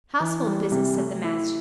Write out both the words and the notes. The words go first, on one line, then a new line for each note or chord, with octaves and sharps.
Household business, said the Master.
E3
G3
C3
A3
E4